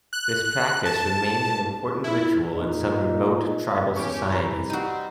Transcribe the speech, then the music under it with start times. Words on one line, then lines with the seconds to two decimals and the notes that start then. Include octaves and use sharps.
This practice remains an important ritual in some remote, tribal societies.
0.13 F#6
0.85 A5
2.04 E4
2.55 A#2 D#4
3.96 E2 C#4 G4 C#6
4.31 C2 B4 A#5 B5
4.70 G3 C4 D#4 F#4